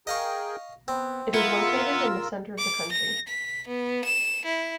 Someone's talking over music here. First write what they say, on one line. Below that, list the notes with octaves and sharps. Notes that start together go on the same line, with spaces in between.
It is located in the center of the country.
G#4 A#4 D#5 F5 G5 C#6
B3 C4
B3 E4 F4 A#4 E6
D6
A#6
B6
B3
E7
E4